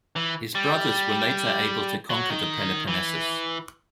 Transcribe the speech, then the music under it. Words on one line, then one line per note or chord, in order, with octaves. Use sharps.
His brothers were later able to conquer the Peloponessus.
E3
G3
F#3
D#3
E3